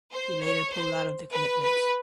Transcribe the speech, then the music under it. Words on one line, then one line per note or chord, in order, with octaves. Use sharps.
He later pulled out of the commitment.
C5
C#5
C5
B4
B4